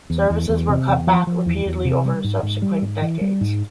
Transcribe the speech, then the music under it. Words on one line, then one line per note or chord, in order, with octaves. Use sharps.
Services were cut back repeatedly over subsequent decades.
E2
E2
E2
C3
E2
F3
F3
E2
E2
C3
G3
G#2
G#2
G3
G#2
E3
G3
G#2